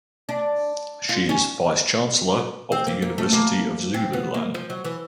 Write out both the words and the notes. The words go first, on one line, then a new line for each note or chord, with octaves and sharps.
She is Vice Chancellor of the University of Zululand.
D4
F4
C#4
C4
A#3
A#3
A3
A#3
C4
B3
A#3
F3
F#3
E3